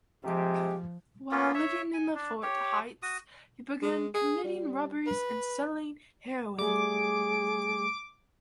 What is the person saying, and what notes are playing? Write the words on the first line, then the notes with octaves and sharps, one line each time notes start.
While living in the Ford Heights, he began committing robberies and selling heroin.
C3 F3 G#3 G4
A#3 B3 C#4 F4
C#5 E5
G#5
D4
G4 C#5
F#4 D#6
G#3
G#4
G3
B4
G3 A3 G#4 D6